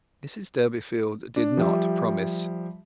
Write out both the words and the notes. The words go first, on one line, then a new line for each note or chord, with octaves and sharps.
Mrs Durbeyfield did not promise.
D4
F3 G3 G4 E5